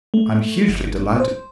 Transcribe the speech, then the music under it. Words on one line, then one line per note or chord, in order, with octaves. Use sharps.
I am hugely delighted.
A3
G1
C5